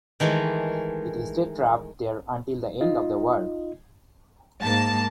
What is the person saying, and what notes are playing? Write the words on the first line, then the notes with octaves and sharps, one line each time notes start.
It stayed trapped there until the end of the war.
D#3 E3 G#3 A3
D#4 F4 D#5
G#2 A#3 A5